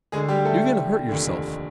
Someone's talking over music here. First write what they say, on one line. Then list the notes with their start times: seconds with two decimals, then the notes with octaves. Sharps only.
You're going to hurt yourself.
0.12 D2 D3 G#3 G#4
0.28 G3 G4
0.45 A3 A4
1.09 F1 D#2 D3